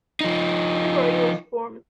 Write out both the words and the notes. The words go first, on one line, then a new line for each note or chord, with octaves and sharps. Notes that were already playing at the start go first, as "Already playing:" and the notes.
Newbury was formed.
F3 D#4